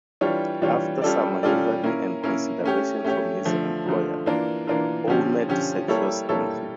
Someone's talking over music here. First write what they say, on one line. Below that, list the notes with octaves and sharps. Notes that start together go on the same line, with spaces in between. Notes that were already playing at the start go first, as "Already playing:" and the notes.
After some maneuvering and consideration from his employer, Ouimet secures entry.
E3 G3 D4 F4 C#5
E3 G3 D4 F4 C#5
G3 C#4 F4 A4 D5
G3 C#4 F4 A4 D5
A#3 C#4 E4 A#4
A#3 C#4 E4 A#4
A3 C#4 G4 C#5
A3 C#4 G4 C#5
D3 F3 A3
D3 F3 A3
E3 A#3 D4 F4 A#4
E3 A#3 D4 F4 A#4
D3 F3 C#4 G4
D3 F3 C#4 G4
G3 A#3 E4 A4 C#5
G3 A#3 E4 A4 C#5